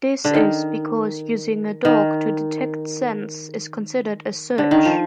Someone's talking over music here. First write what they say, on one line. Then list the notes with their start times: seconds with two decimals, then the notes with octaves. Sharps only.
This is because using a dog to detect scents is considered a search.
0.25 D3
0.34 D#3
1.85 D#3
4.58 D3
4.71 D#3
4.85 F3